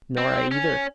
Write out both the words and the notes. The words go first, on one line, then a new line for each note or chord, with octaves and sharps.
"Nor I either."
C4
C#4